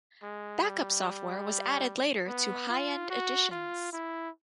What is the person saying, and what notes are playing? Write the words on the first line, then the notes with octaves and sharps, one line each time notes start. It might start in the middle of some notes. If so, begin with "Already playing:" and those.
Backup software was added later to high-end editions.
G#3
G3
B3
F4
F#4
F4
E4